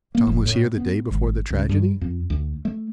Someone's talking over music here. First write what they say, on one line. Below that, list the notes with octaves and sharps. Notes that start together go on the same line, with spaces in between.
"Tom was here the day before the tragedy?"
A#3
F1
A2
B3
G#1
C#2
G2
F2
D2
A3